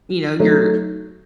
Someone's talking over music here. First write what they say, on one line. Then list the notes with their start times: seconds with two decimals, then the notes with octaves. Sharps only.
”you know, you're
0.39 F#3 A3 D#4